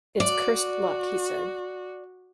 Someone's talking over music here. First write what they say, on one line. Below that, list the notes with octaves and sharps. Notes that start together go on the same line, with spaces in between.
"It's cursed luck," he said.
F#4 D5